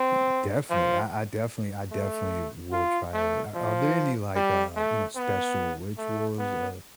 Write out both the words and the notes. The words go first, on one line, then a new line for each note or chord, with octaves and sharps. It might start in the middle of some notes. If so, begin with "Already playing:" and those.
i definitely. I I definitely I definitely will try that. Are are there any, like, uh, you know, special rituals or
Already playing: C4
F3
A3
F4
A3
F3
G3
A3
B3
A3
B3